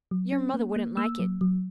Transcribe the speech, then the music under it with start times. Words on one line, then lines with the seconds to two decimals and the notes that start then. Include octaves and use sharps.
"Your mother wouldn't like it."
0.11 F#3
0.32 C#4
0.54 A#3
0.76 A#3
0.97 A#3 E6
1.19 F#3
1.41 F#3